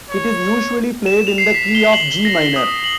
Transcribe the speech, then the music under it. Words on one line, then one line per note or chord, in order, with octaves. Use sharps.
It is usually played in the key of G minor.
C#5
E7
F7
C7
B6
G7
F#7
G7
A#6
G7
D#6
F#7